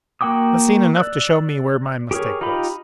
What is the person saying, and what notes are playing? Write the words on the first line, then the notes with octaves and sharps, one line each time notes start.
I've seen enough to show me where my mistake was.
A#3 F#4 G5 D6 D#6
D5 E6 F#6
G4 G#4 A#4 C#5
D#4 F4 G4 B5